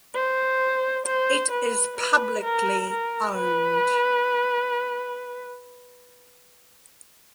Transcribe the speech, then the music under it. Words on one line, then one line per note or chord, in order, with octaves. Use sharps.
It is publicly owned.
C5
C5
B4
B4
A#4
A#4
B4